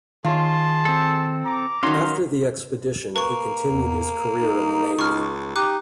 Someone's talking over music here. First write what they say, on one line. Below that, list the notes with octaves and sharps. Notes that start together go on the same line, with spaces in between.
After the expedition he continued his career in the navy.
D#3 F4 G#4 C#5 A5 C6
C4 A4
A#5 D6
D#3 F#3 C#4 D#4 F5 C6
A#3 B4 C#6
E2
D#4
C#2 C#6 F6
D#4 G4 D6 F#6